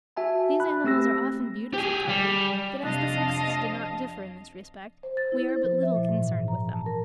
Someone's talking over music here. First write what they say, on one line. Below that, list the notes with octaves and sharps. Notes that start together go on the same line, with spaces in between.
These animals are often beautifully coloured, but as the sexes do not differ in this respect, we are but little concerned with them.
F#4 E5 G#5 A5
B5 F#6
A3 C4 G4 E6 A#6
G4 G#4
G3
F2 C3 D4 D#5 F5 A5
C5
A6
E4
C5
F3
E5
A#2
G#2
E3
A#5
A5
A#4